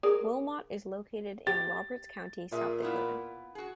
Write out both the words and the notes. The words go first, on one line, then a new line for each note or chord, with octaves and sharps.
Wilmot is located in Roberts County, South Dakota.
G#4 A#4 D5
G4 A6
A#2 F4 G#4 E5
B3 E4 F4
F#4 G#4